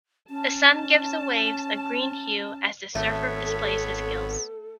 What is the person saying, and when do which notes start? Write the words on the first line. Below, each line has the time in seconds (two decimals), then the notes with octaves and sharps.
The sun gives the waves a green hue as this surfer displays his skills.
0.30 C#4 A5
2.95 G#1 A3 B3 A4 C#5